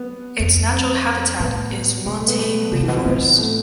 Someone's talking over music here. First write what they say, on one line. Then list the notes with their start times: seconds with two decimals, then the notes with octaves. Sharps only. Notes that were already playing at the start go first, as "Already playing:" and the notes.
Its natural habitat is montane rainforest.
Already playing: B3
0.39 F2
0.72 C4
1.40 A2 B3
2.05 B2 G#3
2.17 A3
2.27 B3
2.39 A3
2.72 C3 F3
2.80 A2
2.83 E3
2.88 B2
2.94 C4
3.05 A2 B3
3.38 A3